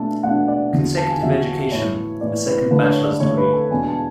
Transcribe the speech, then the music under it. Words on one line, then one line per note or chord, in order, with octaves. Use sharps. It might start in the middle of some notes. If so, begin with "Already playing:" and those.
Consecutive Education: A second bachelor's degree.
Already playing: B2 A3 D4 A5
B2 A3 D4 F#5
D5
E2 D3 F#3
A5
G#5
E2 D3 F#3 E5
A2 E3 B3 E4 C#5
A2 E3 B3 E4 D5
B4
D3 A3 D4 B4
C#5
D5
D3 A3 D4 C#5
B4
A4
E2 B2 G#3 D4 G#5
A5